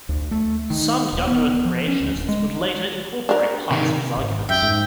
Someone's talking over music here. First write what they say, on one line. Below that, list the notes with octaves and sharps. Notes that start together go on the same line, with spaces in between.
Some young Earth creationists would later incorporate parts of his arguments.
D2
A3
D#3
D#1
B3
F3
C#4
D2
D1
G#3
D4 A#4
C3 D#3
G#1
F#2 E5 G5
G#2